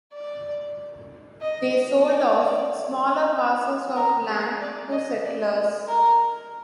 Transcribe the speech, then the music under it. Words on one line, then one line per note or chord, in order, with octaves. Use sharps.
They sold off smaller parcels of land to settlers.
D5
D#5
D5
A#4
G#4
D5
D#5
D5
A#4